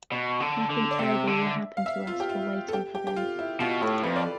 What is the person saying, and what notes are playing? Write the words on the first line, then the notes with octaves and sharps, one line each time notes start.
Nothing terrible will happen to us for waiting for them.
B2
D3
D3
D5
C3 E5
D3
F5
E5
F4
G4
F4
A4
G4
G4
G4
F4
E4
B2 F4
A2 A4
F2 B4
D5